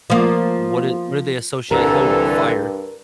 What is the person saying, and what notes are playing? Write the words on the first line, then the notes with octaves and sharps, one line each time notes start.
what i what they what associate hell with? Fire.
F3 A#3
C2 G2 D3 E3 A4 A#4